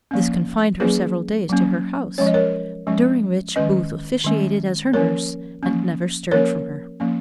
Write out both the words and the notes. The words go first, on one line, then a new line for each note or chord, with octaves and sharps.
This confined her several days to her house, during which Booth officiated as her nurse, and never stirred from her.
F3 A#3 C#4
F#3 A#3 C#4 G#4 B4
F#3 A#3 C#4
F3 G#3 C#4 C#5
D#5
A#4 C#5
F3 G#3 C#4
D#3 G#3 C#4 B4 D#5
D#3 G#3 C#4
F3 A#3 C#4 A#4 C#5
F3 A#3 C#4
F3 A#3 C#4 A#4 C#5
F3 A#3 C#4